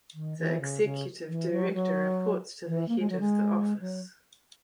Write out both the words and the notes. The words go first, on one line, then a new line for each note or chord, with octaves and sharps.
The Executive Director reports to the Head of the Office.
D#3
E3
C#3
C#3
E3
F#3
G#3
F#3
E3
A#3
G#3
F#3
G#3
F#3